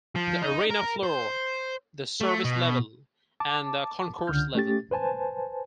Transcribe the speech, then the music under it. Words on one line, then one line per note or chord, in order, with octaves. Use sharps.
The arena floor, the service level and the concourse level.
F3
D#4
A#4
C5
A3
B2
A5 D6
C#2 D3 F6 G6
A3 C#4 G4 A6
B4 C5 G#5 A5